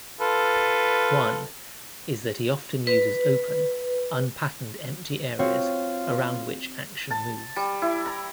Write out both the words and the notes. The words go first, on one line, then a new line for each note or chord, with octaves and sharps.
One is that he often uses open, unpatterned empty areas around which action moves.
F4 A4 B4
B4
C4 F4 F#4 C#5
A5
G3
E4
A#5